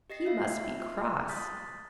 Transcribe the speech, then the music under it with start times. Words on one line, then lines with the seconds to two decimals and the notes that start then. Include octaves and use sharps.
"He must be cross."
0.10 G4 D#5 A#6 C7
0.25 F4 E5 F5
1.29 D#6 F#6 G6 A6 B6